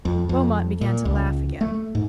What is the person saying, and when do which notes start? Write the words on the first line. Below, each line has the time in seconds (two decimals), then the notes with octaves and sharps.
Beaumont began to laugh again.
0.05 F2
0.29 F2
0.81 A#2
1.05 C#2
1.61 A3
1.95 G#2